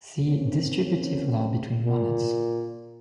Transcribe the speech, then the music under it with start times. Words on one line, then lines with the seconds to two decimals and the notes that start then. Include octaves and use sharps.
See: distributive law between monads.
0.24 A#3 C4 C#4
1.85 A#2